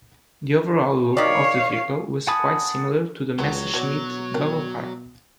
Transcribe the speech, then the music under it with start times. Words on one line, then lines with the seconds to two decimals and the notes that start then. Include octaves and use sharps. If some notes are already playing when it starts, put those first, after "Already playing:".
The overall look of the vehicle was quite similar to the Messerschmitt bubble car.
1.17 D#3 G4 C#5 D5 F5
2.27 F#5 G#5 A5 B5 D#6
3.39 C#2 F#3 B3 C4
3.74 B2 F#4 C#5 D5
4.34 A#4 F5 G5